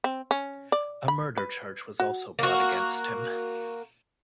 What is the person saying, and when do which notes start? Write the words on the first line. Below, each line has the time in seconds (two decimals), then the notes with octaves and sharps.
A murder charge was also brought against him.
0.04 C4
0.31 C#4
0.72 D5
1.08 B5
1.37 B4
2.00 F#4
2.39 A#3 F#4